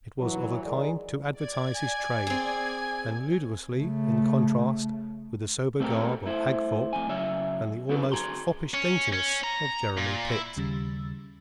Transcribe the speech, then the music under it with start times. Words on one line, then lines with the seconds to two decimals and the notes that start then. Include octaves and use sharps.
It was of a kind to advertise his trade, and ludicrously in contrast with the sober garb of Hagthorpe and the almost foppish daintiness of Jeremy Pitt.
0.21 E3 F#3
0.65 D#3 G#3 D5
1.32 D5 G#6
1.75 G#5
2.27 C4 G#4
3.72 C#3 A3
5.80 A3 C4 E4 G4 A4 A#4
6.26 A3 E4 C5
6.93 F2 A2 G#5
7.09 C#3 F#3 C#5 E5
7.89 C4 D4 F#4 A4 B4
8.12 F#4 G#4 A#5 C6
8.74 C#4
9.13 C#4
9.44 A#5
9.97 A#2
10.30 E4
10.57 D#2 C#3 G3 E6 A6